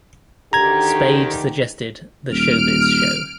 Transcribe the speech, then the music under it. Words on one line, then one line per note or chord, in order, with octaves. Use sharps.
Spade suggested "The Showbiz Show".
D2 D#3 G4 A#5 G#6
D#1 F6 D7